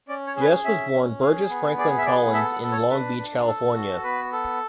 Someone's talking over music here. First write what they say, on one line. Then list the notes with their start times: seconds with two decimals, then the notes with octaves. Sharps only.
Jess was born Burgess Franklin Collins in Long Beach, California.
0.09 C#4 D5
0.27 C#5
0.36 G#4 B4
0.45 C#5
0.65 C#4 E5
0.92 C#4
1.21 G#4
1.50 B3
1.78 G#4 D5
1.98 E5
2.06 B3 D5
2.33 A4 E5
2.53 F#5
2.62 A4
2.71 C#5
2.90 D4 B4
3.18 D4
3.47 A4
3.75 F#4
4.03 B3 B4
4.32 A4